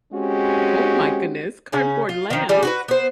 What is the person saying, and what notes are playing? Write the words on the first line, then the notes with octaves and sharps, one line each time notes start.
Oh my goodness, Cardboard Lamb?
G#3 C4 C#4 F#4 G4
C#3 C#4
F4
D#3 F3
G3 G#4
F#4 G#4 B4
B3 C5